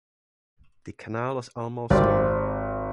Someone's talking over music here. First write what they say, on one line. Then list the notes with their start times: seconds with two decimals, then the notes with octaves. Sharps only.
The canal is almost long.
1.90 G#1 C4 G4 D5